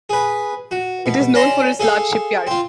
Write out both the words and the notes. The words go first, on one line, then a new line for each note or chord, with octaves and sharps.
It is known for its large shipyard.
G#4 B4
F#4
B2
C#4 D5 A5 A#5 C6
G#4 A4 F5
C4 F4